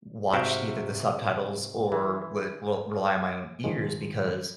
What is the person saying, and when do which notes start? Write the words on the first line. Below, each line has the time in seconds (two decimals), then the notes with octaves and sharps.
watch either the subtitles or re r rely on my own ears because
0.33 G#2 C3 F#4 E5 F5 G5
1.92 E3
3.64 G2 D#3 F3 G#3